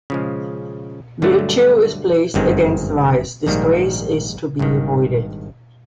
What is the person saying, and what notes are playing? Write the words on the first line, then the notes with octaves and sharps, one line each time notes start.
"Virtue" is placed against "Vice", "Disgrace" is to be avoided.
C#3 F3 G#3
G2 D3 F#3 A3
G1 F#2 D#3 G#3 C4
A#1 G#2 D#3 G3 A#3
G#1 G2 D#3